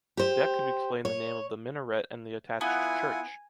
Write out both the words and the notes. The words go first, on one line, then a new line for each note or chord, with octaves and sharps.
That could explain the name of the minaret and the attached church.
G4 C5
C#5
B3 E4 F4 F#5 G#5